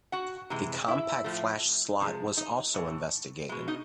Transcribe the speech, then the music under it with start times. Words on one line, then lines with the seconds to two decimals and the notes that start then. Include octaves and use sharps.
The CompactFlash slot was also investigated.
0.12 F#4 F#5
0.50 C3 E3 G#3
0.88 E4 E5
1.24 A2 F3 A3
2.00 C3 F3 G#3
2.37 D#4 D#5
2.74 A2 E3
3.49 B2 G#3
3.68 D#4 D#5